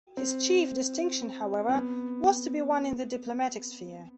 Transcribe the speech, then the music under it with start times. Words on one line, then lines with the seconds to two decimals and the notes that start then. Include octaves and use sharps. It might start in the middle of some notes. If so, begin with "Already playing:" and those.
His chief distinction, however, was to be won in the diplomatic sphere.
0.17 C4
1.69 C4
1.75 B3